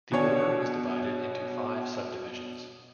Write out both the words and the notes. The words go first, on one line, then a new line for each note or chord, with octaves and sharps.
The Order was divided into five subdivisions.
B2 D4 C#5 G#5